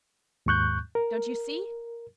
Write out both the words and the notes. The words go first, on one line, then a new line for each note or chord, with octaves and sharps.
'Don't you see?
D#2 G#2 C#6 F#6 G6
A#4